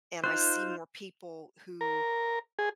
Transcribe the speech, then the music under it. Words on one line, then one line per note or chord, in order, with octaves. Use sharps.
and I see more people who
D#4 F4 C5 F#6
A#4
G#4